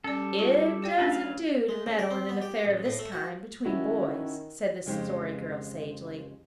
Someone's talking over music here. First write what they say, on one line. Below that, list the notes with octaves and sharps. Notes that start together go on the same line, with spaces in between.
"It doesn't do to meddle in an affair of this kind between boys," said the Story Girl sagely.
G3 C#4 A4 D5
F4 G#4
G4 D5 G5
A3 C#4 D4 E4 A4 B4
F#3 B4 F5
G#3
C#3
A#4
C4
B3
G4
A1
A2
A3
F#4
D#3 C#4 E4 F#4
F2 C#3 G#3 D#4 G4 C5